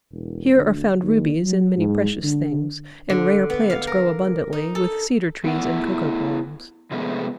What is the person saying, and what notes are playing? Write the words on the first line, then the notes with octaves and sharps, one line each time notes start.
Here are found rubies and many precious things, and rare plants grow abundantly, with cedar trees and cocoa palms.
E1
D2
D#2
F#3
G#2
D3
D3
B3
F5
A#4
D#4
A4
A3 B3 E4 F#5
C3 F3 G#3 A3 B3